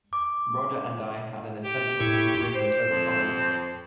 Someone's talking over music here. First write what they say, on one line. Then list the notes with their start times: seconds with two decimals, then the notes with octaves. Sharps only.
Roger and I had an essential disagreement over comedy.
0.13 D6
1.64 G4
2.00 A2 E4 C#6
2.55 C5
2.88 F2